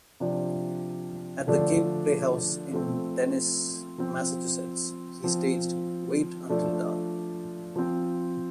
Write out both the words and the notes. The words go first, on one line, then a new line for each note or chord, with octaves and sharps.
At the Cape Playhouse in Dennis, Massachusetts, he staged "Wait Until Dark".
C3 F3 D4
D3 F3 A3 D4
F3 A3 C4
F3 C4
F3 C4
F3 A3 D4
F3 C4